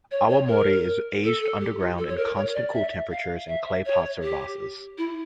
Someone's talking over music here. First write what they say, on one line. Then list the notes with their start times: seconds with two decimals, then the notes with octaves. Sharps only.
"Awamori" is aged underground in constant cool temperatures in clay pots or vases.
0.11 C#5
0.30 C#5
0.49 A#4
1.24 A4
1.42 A4
1.61 G4
1.80 F4
1.98 A4
2.08 C#5
2.17 A#4
2.36 C#5
2.54 D5
2.73 E5
3.11 F5
3.48 E5
3.86 C#5
4.23 G4
4.98 E4